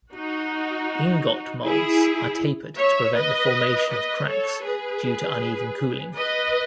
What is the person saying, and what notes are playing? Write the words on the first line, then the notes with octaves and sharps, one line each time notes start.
Ingot molds are tapered to prevent the formation of cracks due to uneven cooling.
D#4 F#4
E4 G#4
C#5 E5
B4 D#5
B4 D#5
A4 C#5
G#4 B4
B4 D#5